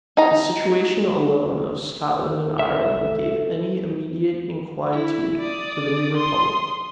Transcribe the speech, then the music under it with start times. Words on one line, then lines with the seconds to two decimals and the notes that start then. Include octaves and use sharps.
The situation alone of Scotland and Ireland gave any immediate inquietude to the new republic.
0.17 D#4 A#5
2.59 A4 E5
4.92 E4
5.41 D5 D#6
6.16 C6 D#6